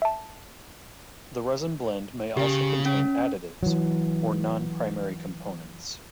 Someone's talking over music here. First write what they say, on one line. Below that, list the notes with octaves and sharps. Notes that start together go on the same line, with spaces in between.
The resin blend may also contain additives, or non-primary components.
E5 A5
C#3 G4
C#4
E3 F#3